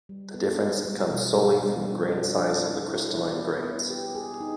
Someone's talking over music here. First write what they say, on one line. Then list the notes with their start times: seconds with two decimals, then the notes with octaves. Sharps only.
The difference comes solely from the grain size of the crystalline grains.
0.09 G3
0.34 B3
0.59 G3
0.85 G3
1.10 B2
1.36 G3
1.61 G3
1.86 D4
2.12 D4
2.37 D4
2.63 E4
2.88 E4
3.14 E4
3.39 B3
3.64 B3
3.90 G4
4.15 G#4
4.40 D#4